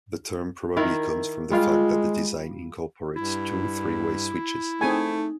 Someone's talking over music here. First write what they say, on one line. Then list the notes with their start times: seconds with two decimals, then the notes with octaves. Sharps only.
The term probably comes from the fact that the design incorporates two "three-way" switches.
0.77 D#3 E4 A#4
1.51 G3 G#3 F4 F5
3.16 G2 E4
4.81 A3 C4 D#4 G#4 G#5